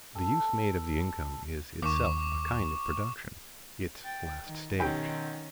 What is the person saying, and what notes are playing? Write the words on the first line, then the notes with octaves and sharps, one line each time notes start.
The use made of the income is itself a kind of production--its last stage.
A4
D#2 C#6 D6
G5 A6
D#3
B1 D#3 C#4 G4 G5